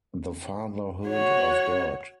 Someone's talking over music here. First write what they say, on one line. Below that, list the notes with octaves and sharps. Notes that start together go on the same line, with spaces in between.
The Fatherhood of God.
F#4 C#5